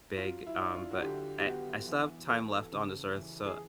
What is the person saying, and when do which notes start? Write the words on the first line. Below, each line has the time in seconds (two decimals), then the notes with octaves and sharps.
big, um, but I I still have time left on this earth, so,
0.18 F#3 F4
0.47 E4
0.60 D4
0.75 F4
0.91 F#4
1.02 D3 G4
1.40 G4
1.45 B3 F#4
1.87 E3
2.29 E3 A4
2.72 C#3
3.15 E3
3.46 G#4